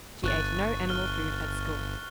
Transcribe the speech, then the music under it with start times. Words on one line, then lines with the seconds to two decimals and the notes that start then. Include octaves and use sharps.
She ate no animal food at school.
0.23 G1 C#6 F#6 A6
0.89 F6 G7